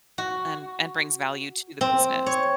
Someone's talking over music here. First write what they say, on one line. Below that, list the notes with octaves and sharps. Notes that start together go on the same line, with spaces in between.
and and brings value to the business.
F#4
C4
C#5